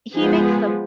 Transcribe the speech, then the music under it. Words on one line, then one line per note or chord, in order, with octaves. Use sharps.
he makes the
F3 G#3 B3 G#4